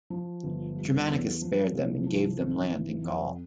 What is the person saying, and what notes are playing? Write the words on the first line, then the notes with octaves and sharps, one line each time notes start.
Germanicus spared them and gave them land in Gaul.
F3
G1
G3
E2
F3
C2
F3
G#1
E3
F2